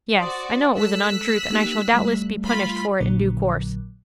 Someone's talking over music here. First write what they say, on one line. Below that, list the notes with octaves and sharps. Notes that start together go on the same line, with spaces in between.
'Yes, I know it was an untruth, and I shall doubtless be punished for it in due course.
F#4 C5 D5 C6 D#6
G#3 A4 E6 F#6 B6
A#3 D#4 G4
C2 G3 A3
F4 B5 C6
A#1 A#2 D3 F#3